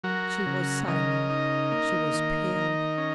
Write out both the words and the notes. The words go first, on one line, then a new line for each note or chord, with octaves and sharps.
She was silent; she was pale.
F#3 F#4 A#4
C#3
C#3 A#4 D#5
D#4
A#3
D#3
D#3
C#4